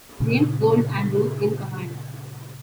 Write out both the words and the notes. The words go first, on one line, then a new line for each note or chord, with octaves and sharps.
James Gold Andrews in command.
A#2 C#3